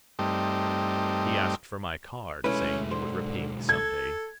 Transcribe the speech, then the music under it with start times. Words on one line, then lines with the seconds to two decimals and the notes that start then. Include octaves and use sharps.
He asked for my card, saying he would repay me some day.
0.19 G2 G3 A3 C4 D#4
2.44 B1 G#3 A3 C#4 E4 B4
2.91 D3 C5
3.69 A4 G#6